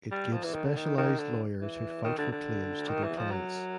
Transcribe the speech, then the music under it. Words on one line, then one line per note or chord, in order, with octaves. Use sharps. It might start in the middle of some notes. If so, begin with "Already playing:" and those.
It gives specialized lawyers who fight for claims to their clients.
G3
F3
E3
D#3
D3
D#3
D#3
D3
E3
D#3
D3
D3
D#3
E3
F3
F#3